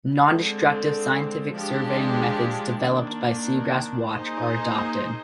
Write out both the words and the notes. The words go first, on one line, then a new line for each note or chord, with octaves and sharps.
Non-destructive scientific surveying methods developed by Seagrass-Watch are adopted.
D3 G#3 C4
F3 G#3 D4 G4
D#3 A#3 D4
A#3 D#4 G#4 C5 D#5